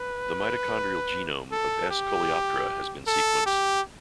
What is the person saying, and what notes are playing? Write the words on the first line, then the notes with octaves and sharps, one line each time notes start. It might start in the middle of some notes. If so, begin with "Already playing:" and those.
The mitochondrial genome of "S. coleoptrata" has been sequenced.
Already playing: B4
A4
G4
A4
G4